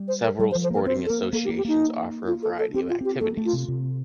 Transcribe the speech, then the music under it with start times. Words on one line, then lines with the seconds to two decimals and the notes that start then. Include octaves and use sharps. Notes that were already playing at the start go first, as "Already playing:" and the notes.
Several sporting associations offer a variety of activities.
Already playing: G3
0.08 C5
0.24 A#4
0.39 G3 A4
0.51 C5
0.55 F3
0.63 C5
0.71 A#3 A#4
0.86 C4 C5
1.06 A4
1.10 A#3 A#4
1.33 A#3 A4
1.45 G4
1.49 A#3
1.57 G4
1.65 A#3 D#4
2.27 F4
2.43 A4
2.59 A4
2.74 C4 G4
2.89 F4
3.01 C4 G4
3.21 A#3 A4
3.37 A3
3.45 F4
3.53 C3
3.68 C3